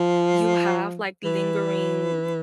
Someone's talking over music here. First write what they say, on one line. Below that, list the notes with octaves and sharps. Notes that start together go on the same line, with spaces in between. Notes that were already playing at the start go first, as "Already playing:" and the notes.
you have like lingering,
Already playing: F3
E3